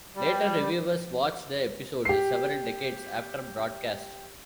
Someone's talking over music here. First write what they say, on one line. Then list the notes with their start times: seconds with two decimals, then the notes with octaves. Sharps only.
Later reviewers watched the episodes several decades after broadcast.
0.15 G3
2.05 G4 C7